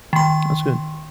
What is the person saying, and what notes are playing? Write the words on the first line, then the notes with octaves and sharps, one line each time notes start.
That's good.
D#3 C6